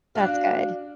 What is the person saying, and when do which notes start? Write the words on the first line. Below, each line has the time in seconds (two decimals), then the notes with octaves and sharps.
That's good.
0.15 D4 F#4 F5